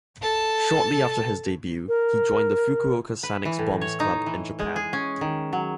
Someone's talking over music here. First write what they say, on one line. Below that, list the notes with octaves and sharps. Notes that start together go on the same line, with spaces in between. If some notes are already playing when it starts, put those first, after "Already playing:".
Shortly after his debut, he joined the Fukuoka Sanix Bombs club in Japan.
A4 A5
A#4
B4
E3
A2
C#5
D#4
E3
G#3
G#4
C#4
D#3
F#3